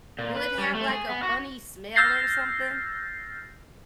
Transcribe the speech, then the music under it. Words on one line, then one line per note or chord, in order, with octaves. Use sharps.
do it have, like, a funny smell or something?
A#2
B4
G3
A3
G#4
B3
F#4
E6 F6 G6 A6 A#6 C7